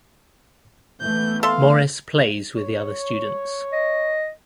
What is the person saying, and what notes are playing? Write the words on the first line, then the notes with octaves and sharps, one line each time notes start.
Morris plays with the other students.
E3 A3 B3 G6
A4 E5 F5 C6
C#5
D#5